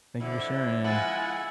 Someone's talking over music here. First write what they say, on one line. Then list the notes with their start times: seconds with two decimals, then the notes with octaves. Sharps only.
Thank you for sharing, and
0.20 F2 D3 E4
0.85 G#3 F4 F#5 G#5 B5 E6 A6